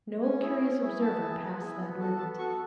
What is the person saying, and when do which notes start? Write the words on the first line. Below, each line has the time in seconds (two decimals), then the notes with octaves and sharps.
No curious observer passed that limit.
0.22 C#4 G#5
0.42 E4 G#4
0.62 C#4
0.81 E4 G#4
1.01 B3 A5
1.21 E4 G#4
1.40 B3
1.59 E4 G#4
1.80 B3
1.99 F#4 A4
2.18 B3 A5
2.38 F#4 A4 C#6